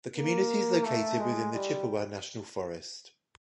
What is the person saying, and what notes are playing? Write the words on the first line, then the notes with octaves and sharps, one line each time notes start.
The community is located within the Chippewa National Forest.
A#3
A3
G#3
G3